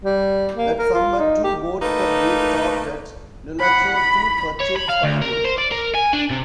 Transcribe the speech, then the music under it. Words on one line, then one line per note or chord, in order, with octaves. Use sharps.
That summer, two boats per day stopped at Nulato to purchase firewood.
G3
A#3
A#4
F4
D#4
G4
A3 A#3 D#4 B4
F#5 B5
B5
C#5
B5
F5
D2
A#4
C5
D5
A#4
G#5
D4
C3